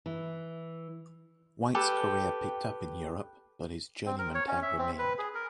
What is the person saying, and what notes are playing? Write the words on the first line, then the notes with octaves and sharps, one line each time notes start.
White's career picked up in Europe, but his journeyman tag remained.
E3
G4 A4 B4 G5
C4
A#4
C#5
C#4
E5
C4
B4
G#4
A#4